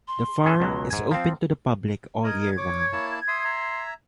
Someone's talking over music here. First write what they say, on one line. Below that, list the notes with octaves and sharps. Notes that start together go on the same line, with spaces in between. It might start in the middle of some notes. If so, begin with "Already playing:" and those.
The farm is open to the public all year-round.
C6
C#4 G#4 A4
C#2 B2 F#3
G#2 G#5
F3 C4 F5
A#4 D#5 G#6
C#5 D6
A#3 E4 A5
E5 C6 D#6
E5 A#5